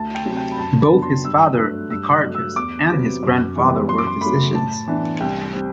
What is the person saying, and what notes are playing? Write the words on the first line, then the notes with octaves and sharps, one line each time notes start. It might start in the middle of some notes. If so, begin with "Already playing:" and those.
Both his father, Nicarchus, and his grandfather were physicians.
Already playing: D2 A5
G5
C3 F#3
G5
B5
F#2 A5
B5
F#3 B3 D4
C6
G2 E6
F#3 A3 D4 F#6
G2 E6
F#6
F#3 A3
E6
E2 D6
C3 F#3 B3
F#2
E3 G3 B3
F#2 C6
D6
C6
F#3 A3 B5
A2 A5
E3 B3 D4
C2 G5
C3 G3 C4